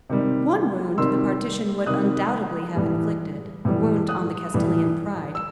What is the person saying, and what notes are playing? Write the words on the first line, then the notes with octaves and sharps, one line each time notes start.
One wound the partition would undoubtedly have inflicted, a wound on the Castilian pride.
C3 D#3 G3
C3 D#3 G3 C6 E6
C3 D#3 G3 D#6 F#6
A2 E3 G3
A2 E3 G3
D#6 F#6
A2 E3 G3
E6